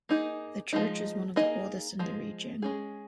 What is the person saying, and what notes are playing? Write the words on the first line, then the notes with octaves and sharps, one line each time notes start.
The church is one of the oldest in the region.
A#3 D#4 G#4
F3 G#3 D#4
A#3 D#4 G#4 D#5
F3 G#3
G#3 C#4 G#4